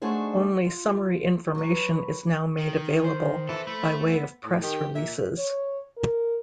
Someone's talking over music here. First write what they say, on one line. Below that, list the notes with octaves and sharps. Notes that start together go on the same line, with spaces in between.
Only summary information is now made available, by way of press releases.
A3 D4 D#4 F#4 G#4 C5
F4
F#3 B4
D#3
C5
E3 E4 A4
A3 B5
B3
A2
D#3 G4
A#2 E5
C#5
A#4